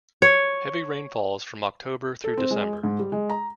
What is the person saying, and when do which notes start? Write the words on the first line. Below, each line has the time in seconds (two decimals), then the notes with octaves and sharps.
Heavy rainfalls from October through December.
0.22 C#5
2.24 A4
2.38 C4
2.51 G#3
2.84 G#2
2.99 G3
3.12 G#3
3.29 A#5